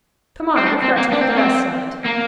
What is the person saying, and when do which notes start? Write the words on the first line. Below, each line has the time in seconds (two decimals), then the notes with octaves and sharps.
"Come on; we've got to make the best of it."
0.57 C4
0.66 D4
0.82 C4
0.97 A#3
1.12 D4
1.21 C4
1.30 A#3
1.37 C4
2.06 A#3